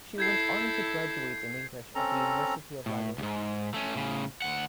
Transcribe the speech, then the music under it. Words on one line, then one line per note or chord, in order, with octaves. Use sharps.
She went on to graduate in English at the University of Lagos.
E4 A4 G6 G#6 C7
C4 C#4 A4 A#5
A2
C#2 G#2
A3 C#4
A2 C#3
D2 F#5